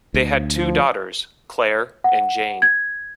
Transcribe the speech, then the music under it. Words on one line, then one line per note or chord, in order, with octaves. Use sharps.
They had two daughters, Clare and Jane.
D2
F3
F#5
G#6